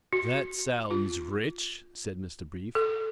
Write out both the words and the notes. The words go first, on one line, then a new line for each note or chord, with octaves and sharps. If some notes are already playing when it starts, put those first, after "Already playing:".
"That sounds rich," said Mr. Brief.
F#4
F4
A4